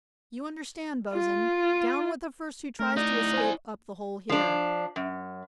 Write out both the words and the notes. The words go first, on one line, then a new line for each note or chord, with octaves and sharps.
"You understand, bo's'n, down with the first who tries to escape up the hole here."
F4
A3 A#4
D#4 E4 D5
C5 G#5
F3 D4
F#2